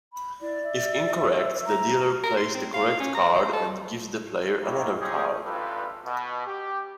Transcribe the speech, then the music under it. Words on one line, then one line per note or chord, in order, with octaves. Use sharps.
If incorrect the dealer plays the correct card and gives the player another card.
B5
E4 D5
E5
A#5
A#4
C6
C4
F5
C#4
A#5
C5
A4
D#3 A#3 E4
C4 C#4 D#4 G4 G#4
A1 G2 G3 F4 A4 B4
B2
G4